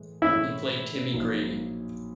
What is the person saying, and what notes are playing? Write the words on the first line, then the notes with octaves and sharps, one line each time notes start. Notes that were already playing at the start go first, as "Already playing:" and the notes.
He played Timmy Grady.
Already playing: A2 E3 G#3
A2 E3 G#3 C#4 E4
A#1 A#2 F#3 A#3 D#4